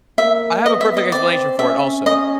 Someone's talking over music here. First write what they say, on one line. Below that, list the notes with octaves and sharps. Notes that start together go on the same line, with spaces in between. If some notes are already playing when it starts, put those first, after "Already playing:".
I have a perfect explanation for it also.
A#3 E5
B3 D#5
E5
D#5
C4 D5
C#4 E5
C#4 D#5